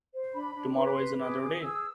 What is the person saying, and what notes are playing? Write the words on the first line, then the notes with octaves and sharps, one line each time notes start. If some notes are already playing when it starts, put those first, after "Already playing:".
Tomorrow is another day.
C5
D4 B5
D4
B4 C6
D6
C6
B4
G#4 D6
G#4
G#4 E6